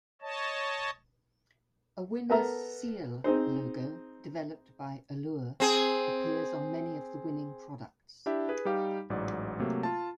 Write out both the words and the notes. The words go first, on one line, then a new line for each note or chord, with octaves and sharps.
A "winners' seal" logo, developed by "Allure", appears on many of the winning products.
C#5 D#5 A5
B3 A4 A#4 E5 A5 A#5
C4 D#4 G#4 C5
C4 G#4
D4 E4 G4 E5
G#4 B4
G3 D#4 G4 F5
A1 G#2 F#3 D5
C3 F#3 A3 A#3
F4 A5